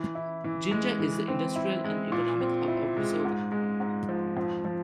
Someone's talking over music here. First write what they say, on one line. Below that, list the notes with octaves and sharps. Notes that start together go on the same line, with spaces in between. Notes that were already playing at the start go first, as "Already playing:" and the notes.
Jinja is the industrial and economic hub of Busoga.
Already playing: E3
E4
E3
G#3
E3
C4
E4
G#3
A#2
C4
E4
G#3
G#2
G#3
G#2
F3
F2
F3